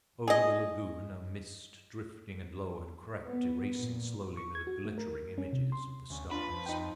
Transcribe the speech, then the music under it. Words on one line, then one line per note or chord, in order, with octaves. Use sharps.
Over the lagoon a mist drifting and low had crept, erasing slowly the glittering images of the stars.
G#4 D#5
B3
A#2
C#6
G#6
F#4
A3
A#4
C#4
C3
C6
D2 C#4
D4 F4 B4
F2 F3
D#4 G5